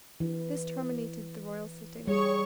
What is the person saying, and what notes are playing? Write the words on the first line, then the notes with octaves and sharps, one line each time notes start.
This terminated the royal sitting.
E3
G3 G#4 C#5 C#6